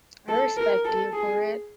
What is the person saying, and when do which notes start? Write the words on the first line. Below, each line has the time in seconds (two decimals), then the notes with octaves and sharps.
I respect you for it.
0.28 A4
0.56 A#4
0.85 A4
1.13 G#4